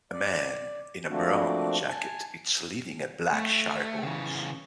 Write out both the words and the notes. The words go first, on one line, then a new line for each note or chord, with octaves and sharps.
A man in a brown jacket is leading a black shire horse.
D5
F3 A3 A#3 C4 D4 F#4
G#5 A5
A3
C#3 E3